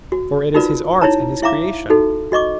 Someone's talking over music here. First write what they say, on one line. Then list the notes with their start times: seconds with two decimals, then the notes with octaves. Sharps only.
For it is his art and his creation.
0.12 F#4
0.54 D#4 F4 F#4 A#4 B4 D5
1.01 D#4 E4 C#5 A5 A#5
1.43 E4 E5 F5 A#5 D6
1.90 D#4 F#4 A4
2.32 F#4 D#5 C#6 D6